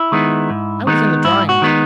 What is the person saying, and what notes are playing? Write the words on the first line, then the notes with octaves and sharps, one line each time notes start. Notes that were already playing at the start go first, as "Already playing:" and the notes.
"I was in the drawing-room."
Already playing: E4
D#3 G#3 B3 D#4
G#2
D#3 G#3 B3 D#4
G#2 E4
F#4
D#3 G#3 B3 D#4